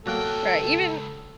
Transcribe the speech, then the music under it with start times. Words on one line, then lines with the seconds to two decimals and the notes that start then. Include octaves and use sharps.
Right, even
0.06 C#2 F#3 A#3 A4 G5 F#6